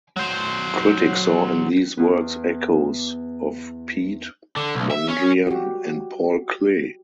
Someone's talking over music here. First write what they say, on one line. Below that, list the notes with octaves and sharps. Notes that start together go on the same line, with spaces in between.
A critic saw in these works echoes of Piet Mondrian and Paul Klee.
F#3 C5
E2 B3
D3
B1
E5
C#4
F#4 G4